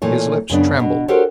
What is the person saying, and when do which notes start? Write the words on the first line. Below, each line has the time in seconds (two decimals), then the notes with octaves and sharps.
His lips trembled.
0.02 A#2 E3 A3 C#5
0.50 F#2 C#3 B3 D4
0.80 B2
1.08 F#4 G4 A4 A#4 C5 C#5